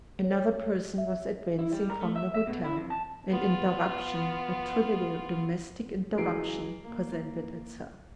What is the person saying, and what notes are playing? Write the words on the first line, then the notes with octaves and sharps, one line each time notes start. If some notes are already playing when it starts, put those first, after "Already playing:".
Another person was advancing from the hotel; an interruption, a trivial domestic interruption, presented itself.
C#5
E5
E4
G3
A#4
A3
E5
E5
B2
E4
F2
A5
B3 F4
C#2 E3 F#3 G#4 C7 D7
A#3